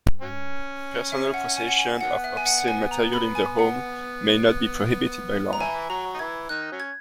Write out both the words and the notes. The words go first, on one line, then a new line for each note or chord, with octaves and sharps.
Personal possession of obscene material in the home may not be prohibited by law.
F#3 C#4
E5
F#5
G#5
F#5
G#5
D#3 F#3 B3 F#5
E5
G#5
F#5
F#5
G#5
A#5
B5
G#5
F#5
A#5
E3 E4 G#5
F#3 F#4 A#5
D#4
E3 E4 G#6
D#3 D#4 F#6
F#3 C#4
G#6